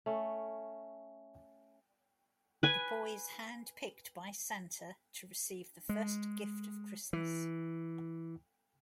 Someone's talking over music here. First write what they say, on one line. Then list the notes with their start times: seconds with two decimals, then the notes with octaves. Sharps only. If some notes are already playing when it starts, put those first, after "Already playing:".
The boy is handpicked by Santa to receive the first gift of Christmas.
0.06 A3 C#4
2.63 B4 G#5
5.89 G#3
7.13 E3